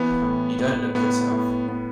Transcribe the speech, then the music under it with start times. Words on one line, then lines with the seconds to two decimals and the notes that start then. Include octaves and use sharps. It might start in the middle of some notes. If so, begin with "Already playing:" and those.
You don't look yourself.
Already playing: E3 B3
0.22 A2
0.59 A2
0.95 A2 B3
1.32 A2
1.69 B3